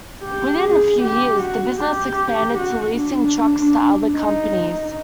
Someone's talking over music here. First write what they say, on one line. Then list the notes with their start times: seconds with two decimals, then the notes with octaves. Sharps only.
Within a few years, the business expanded to leasing trucks to other companies.
0.24 G4
0.64 G#4
1.02 G4
1.41 F#4
1.80 G4
2.58 F#4
2.98 D4
4.15 D#4